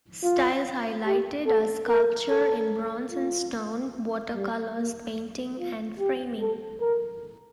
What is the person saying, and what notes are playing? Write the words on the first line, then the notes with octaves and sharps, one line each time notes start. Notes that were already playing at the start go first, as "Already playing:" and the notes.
Styles highlighted are sculpture in bronze and stone, watercolors, painting, and framing.
F4
G4
A4
A#4
A4
F4
G3
A#3
F4
G4
A4
A#4